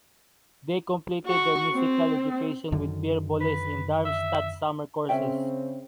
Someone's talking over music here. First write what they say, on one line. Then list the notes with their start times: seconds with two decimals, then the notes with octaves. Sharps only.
They completed their musical education with Pierre Boulez, in Darmstadt Summer Courses.
1.26 F#4 C#6
1.74 C4
2.72 F#2 D3 D#3
3.41 B4
4.05 E5
5.09 C#3 C4 C#4 E5 G5